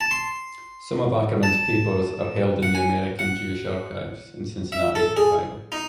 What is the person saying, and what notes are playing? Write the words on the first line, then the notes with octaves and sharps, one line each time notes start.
Some of Ackerman's papers are held in the American Jewish Archives, in Cincinnati, Ohio.
A5
C6
A5
F#5
G#5
F#5
E5
A4
G#4
D#4